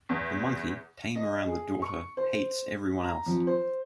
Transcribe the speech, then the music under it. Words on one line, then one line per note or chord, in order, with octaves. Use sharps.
The monkey, tame around the daughter, hates everyone else.
E2
D#5
G#4
C#6
C5
A#5
F2
C5